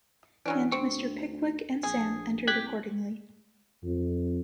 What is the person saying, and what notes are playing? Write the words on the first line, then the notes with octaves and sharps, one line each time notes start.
And Mr. Pickwick and Sam entered accordingly.
E3 F#3 C#4 D4
D2 C4 C#6
A#1 G#4
C2 G4 F#6 G#6 B6
F2